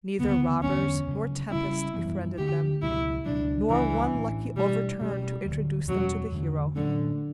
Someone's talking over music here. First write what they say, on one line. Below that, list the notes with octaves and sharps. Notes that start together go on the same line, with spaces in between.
Neither robbers nor tempests befriended them, nor one lucky overturn to introduce them to the hero.
D2 C#3 F#3 B3
E2 D3 F#3 B3 C#4
D2 C#3 F#3
C#3 G3 C#4 E4
F#2 E3 G3 B3
D2 D3 A3 G4
C#2 B2 F#3 E4
C#2 B2 F#3 D4
C#2 C#3 E3 G3
A2 E3 A3 C#4
B2 G3 A3 D4
B2 G3 A3 C#4
D2 D3 F#3
E2 B2 F#3 G3 C#4
E2 D3 A3
A2 D3 F#3 A3 C#4